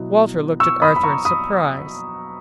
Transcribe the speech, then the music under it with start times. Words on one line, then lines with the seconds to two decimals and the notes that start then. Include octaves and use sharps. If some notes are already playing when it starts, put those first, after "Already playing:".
Walter looked at Arthur in surprise.
Already playing: B2 F#3 B3 E4
0.60 C#6 E6
0.82 B5 D#6
0.96 B5
1.03 A#5 C#6
1.25 B5 D#6